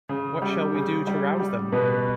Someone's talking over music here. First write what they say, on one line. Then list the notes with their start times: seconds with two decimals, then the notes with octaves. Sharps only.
What shall we do to rouse them?
0.09 C#3
0.42 G3
0.74 C#3
1.07 G3
1.39 G3
1.72 B2 B4